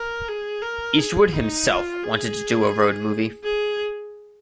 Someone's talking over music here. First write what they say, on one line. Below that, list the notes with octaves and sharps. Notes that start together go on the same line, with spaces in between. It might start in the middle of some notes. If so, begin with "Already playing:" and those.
Eastwood himself wanted to do a road movie.
Already playing: A#4
G#4
A#4
G#4
D#4
F4
G#4
G#4